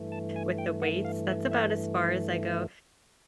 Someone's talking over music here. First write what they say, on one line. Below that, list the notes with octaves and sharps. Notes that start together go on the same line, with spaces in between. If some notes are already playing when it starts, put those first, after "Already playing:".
with the weights, that's about as far as I go.
Already playing: G2 E3 A3
A5
G#5
G5
F#5
F5
E5
E5